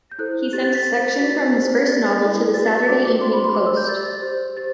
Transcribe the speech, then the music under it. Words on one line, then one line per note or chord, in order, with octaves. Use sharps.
He sent a section from his first novel to "The Saturday Evening Post".
G6
E4 A4 C5 F#6
G4 C5 A6
A6
B6
G4 C5 A6
B6
A6
D4 F#4 B4 D5 B6
A6
D4 G4 C5
G4 D5 A6
E4 A4 D5
F#4 B4 D5 A6
A6
A6
D4 F#4 A4 D5 D6
D6
F#4 C5 C6
B5
C6
G4 C5 D6
E6
G6
G4 D5 A6
G4 C5
G4 C5 A6